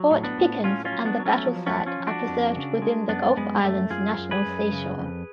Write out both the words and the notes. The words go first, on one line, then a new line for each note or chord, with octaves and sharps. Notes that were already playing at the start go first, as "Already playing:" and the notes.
Fort Pickens and the battle site are preserved within the Gulf Islands National Seashore.
Already playing: F#3
A2
B3 D4
A2
F#3 C#4 F4
C#4 F4
F#3
B3 D4
F#3
A3 C#4
F3
A3 C#4
F3
D4
C#4 F4
F3
D4 F#4
F2
C#3
G#3
F#2 B3 D4
F#2 G#3 B3
F#2 A3
F#2 F4 G#4
F#2
G#4 B4
F#2
C#3
F2